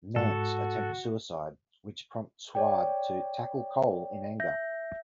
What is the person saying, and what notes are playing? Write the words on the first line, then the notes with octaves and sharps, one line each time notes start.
Nance attempts suicide, which prompts Huard to tackle Cole in anger.
G#2 F#4 A4
C#5 D5 G5
E5 G6 A#6